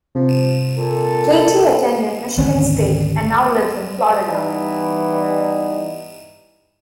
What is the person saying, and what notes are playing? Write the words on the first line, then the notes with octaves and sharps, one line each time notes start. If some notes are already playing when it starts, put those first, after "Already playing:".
Katie attended Michigan State and now lives in Florida.
C3 F3
A#2 A4
G#1 D2 B3 C#4
E3 G3 B3 D#4